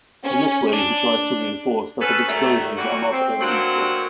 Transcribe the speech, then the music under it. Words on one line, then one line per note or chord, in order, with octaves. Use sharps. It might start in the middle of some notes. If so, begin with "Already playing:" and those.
In this way, he tries to reinforce that the disclosures are not all equal.
C#4
D4
C#4 A4 B4
D#3 F#3 G3 A3
E3 F#3 G3 F#4
C4
F#3 A3 A#3 C4 D4 F#4